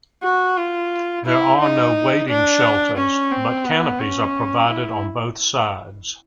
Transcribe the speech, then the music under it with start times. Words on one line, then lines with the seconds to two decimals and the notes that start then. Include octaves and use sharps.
There are no waiting shelters, but canopies are provided on both sides.
0.23 F#4
0.57 F4
1.26 E4
1.61 D#4
2.29 D4
2.98 C#4
3.32 C4
3.66 B3
4.00 C#4
4.68 E4